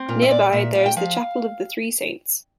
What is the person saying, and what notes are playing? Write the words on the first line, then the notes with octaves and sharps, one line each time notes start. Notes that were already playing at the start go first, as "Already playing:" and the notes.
Nearby, there is the Chapel of the Three Saints.
Already playing: C4
A#2 F4
E5
A#2 D5
A#2 E5
A#2 F5
G5
F3 F5